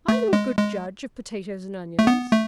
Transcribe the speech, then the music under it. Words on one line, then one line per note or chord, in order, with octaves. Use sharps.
Are you a good judge of potatoes and onions?
A3
G#3
G#3
A3
B3
A3